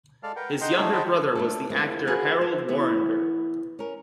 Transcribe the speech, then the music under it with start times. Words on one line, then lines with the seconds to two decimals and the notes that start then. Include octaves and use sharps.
His younger brother was the actor Harold Warrender.
0.23 G#3 A4 D5 F5 A5 F6
0.36 A#4 B4 F#5 G5
0.61 D#4 D#5 F#5 G5 C6
0.76 G#3 A3 D4 D#4 G#4
0.92 C5 D#5 F#5 G5 A5 B5
1.35 A3 D4 A4
1.70 F2 E3 G#3 A#3
2.07 F3 F#4 G#4 A#4 B4 D#5
2.41 C5
2.68 E3 B3
3.79 C#4 A#4